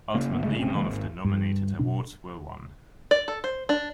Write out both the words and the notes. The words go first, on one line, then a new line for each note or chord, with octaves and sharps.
Ultimately, none of the nominated awards were won.
C#3 A#3
G#1 D2 B3
G1 C#3 G#3 A3
G1 C3 C4 C#4
C3 E3 G#3 A#3
G#1
G2
B2 D4
D5
A4
C5
D4